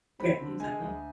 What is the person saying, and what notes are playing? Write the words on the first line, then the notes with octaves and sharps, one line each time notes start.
Right, exactly.
C4 B5
D3
G#3 G#5
D2